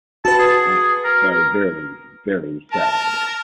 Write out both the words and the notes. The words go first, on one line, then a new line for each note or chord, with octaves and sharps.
But so very, very sad.
F#4 B4 A5
G#4
A#4
A#4
A#4 A5